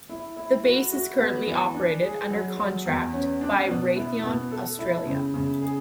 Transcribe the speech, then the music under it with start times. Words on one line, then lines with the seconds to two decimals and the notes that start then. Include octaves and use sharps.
The base is currently operated under contract by Raytheon Australia.
0.09 E4
0.36 E4
0.64 F#4
0.93 F#4
1.19 B3
1.47 E3
1.74 D4
2.03 G#4
2.30 F#3
2.57 F#3
2.86 E2
3.13 C#4
3.41 D4
3.68 B2
3.96 E4
4.23 B2
4.52 A4
4.79 E4
5.06 C#3
5.34 C#3
5.61 G#4